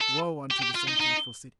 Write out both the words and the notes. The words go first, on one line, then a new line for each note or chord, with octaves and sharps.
Woe unto this unfaithful city!
A4
G4
G4
F4
D#4
D#4